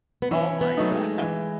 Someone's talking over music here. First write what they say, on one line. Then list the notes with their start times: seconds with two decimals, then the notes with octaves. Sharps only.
Oh my god.
0.22 B3
0.31 E3 C#4
0.61 B3
0.77 F#3 A3 D#4
0.92 G#3
1.22 E3